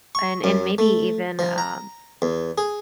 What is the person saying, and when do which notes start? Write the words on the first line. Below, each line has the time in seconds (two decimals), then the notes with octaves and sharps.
And and maybe even, um,
0.15 C#6
0.44 F#2
0.78 A3
1.39 F3
1.58 A#5
2.22 E2
2.58 G#4